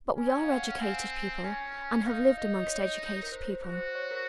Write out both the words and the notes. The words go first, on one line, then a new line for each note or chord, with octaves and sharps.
But we are educated people, and have lived amongst educated people.
C#4 G#5
F5
F#5
F5
F#5
C4 G#5
C#4 G#5
D#4 F5
D#4 D#5
D#5
C#5
A#4
C5
F#4 C5
C#5
C5
A#4